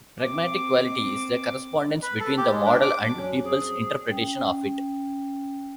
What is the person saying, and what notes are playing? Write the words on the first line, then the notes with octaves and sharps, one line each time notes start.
Pragmatic quality is the correspondence between the model and people's interpretation of it.
C4 D6
B4
A4
G4
G#3
D4
D6
F#3 C#4
C4 G#4
C#4 G5